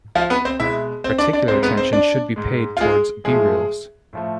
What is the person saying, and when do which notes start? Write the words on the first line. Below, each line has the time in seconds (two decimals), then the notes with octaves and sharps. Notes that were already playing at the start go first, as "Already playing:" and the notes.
Particular attention should be paid towards b-reels.
0.15 F3 F4
0.30 B3 B4
0.45 C4 C5
0.60 B2 G#3 E4 E5
1.04 C4 C5
1.18 D4 D5
1.33 D4 D5
1.48 G#2 G#3 C4 C5
1.62 B3 B4
1.77 C4 C5
1.93 D4 D5
2.36 G#2 G#3
2.77 F4
2.81 G#3 G#4
3.24 A2 F3 G#3 A3 G#4
4.13 A2 F3 A3